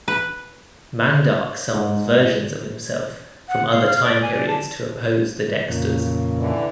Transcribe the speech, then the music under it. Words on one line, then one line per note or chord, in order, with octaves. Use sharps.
Mandark summons versions of himself from other time periods to oppose the Dexters.
B4
G#2
F#5
F5
F6
D5
G#5
D5
A5
F2 A#2 C#3
D3 E3